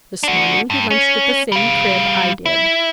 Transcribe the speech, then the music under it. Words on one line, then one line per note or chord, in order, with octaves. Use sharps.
This morning he lunched at the same crib I did.
D4 F#4
G2
C#4
G3 F5
E4